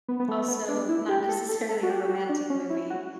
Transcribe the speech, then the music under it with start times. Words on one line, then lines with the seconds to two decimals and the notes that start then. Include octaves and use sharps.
also not necessarily a romantic movie.
0.09 B3
0.20 B3
0.28 A3
0.48 B3
0.69 D4
0.89 E4
1.09 G4
1.29 A4
1.49 A4
1.69 A4
1.83 F#4
1.90 G4
2.05 G4
2.09 F#4
2.29 D4
2.50 C#4
2.70 E4
2.90 F#4